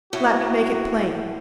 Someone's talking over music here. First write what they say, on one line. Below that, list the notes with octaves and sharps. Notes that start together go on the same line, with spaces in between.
Let me make it plain.
A2 F#4